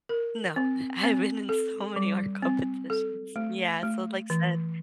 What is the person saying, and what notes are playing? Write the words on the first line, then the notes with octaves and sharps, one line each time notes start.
No. I've been in so many art competitions. Yeah, so, like, said
A#4
C4
C4
A4
G3
C4
A4
A3
A3
E3